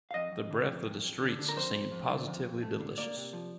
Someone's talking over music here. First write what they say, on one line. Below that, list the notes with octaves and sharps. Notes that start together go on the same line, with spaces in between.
The breath of the streets seemed positively delicious.
F5
F2 D#5
F2
D3
F2
F2
F2
D3
D3
A#4
F2 C5
F2
F2
D3
F2
F2
A3
D3
A#3 D5
C3
F3